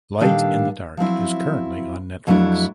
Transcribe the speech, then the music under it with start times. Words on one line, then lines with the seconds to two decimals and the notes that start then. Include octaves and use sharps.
Light In The Dark is currently on Netflix.
0.20 A#2 D#3 G3 D4 A4 F5
0.97 F3 F#3 C4 E4
2.27 F2 F#3 A3 C4 D4 E4